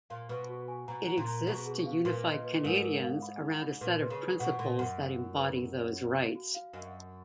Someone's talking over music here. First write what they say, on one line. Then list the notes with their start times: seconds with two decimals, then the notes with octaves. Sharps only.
It exists to unify Canadians around a set of principles that embody those rights.
0.10 A#2 F5
0.29 B2 B4
0.49 F#4
0.68 G#5
0.88 B2 A#5
1.08 A#5
1.17 A#2
1.28 A#5
1.47 B2 G#4
1.66 G#4
1.86 F5
2.05 A#2 B4
2.25 D#5
2.44 B4
2.64 G#2 A#4
2.83 A#4
3.03 F5
3.22 B5
3.42 D#4
3.62 B5
3.81 A#2 B4
4.01 B4
4.10 C#3
4.21 B4
4.40 B2 F#5
4.59 A#2 B5
4.78 F#2 F#5
4.98 F5
5.18 F4
5.37 B4
5.56 B5
5.76 C#5
5.95 B5
6.15 F5
6.35 F#4
6.55 F5
6.73 F#2 D#5
6.94 F#5